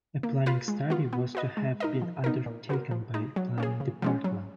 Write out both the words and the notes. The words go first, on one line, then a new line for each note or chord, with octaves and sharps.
A planning study was to have been undertaken by the Planning Department.
A#3
F4 B4 F5
G#3
B3 F4
B3
F#4 B4 D#5
G#3
D#4 A#4 D#5
F3
B3 D#4 A#4
A#2
F#3 B3 F#4 A#4
F3
G#3 D#4
F#3
A#3 C#4 G#4
C#3
F3 G#3 C#4
F#3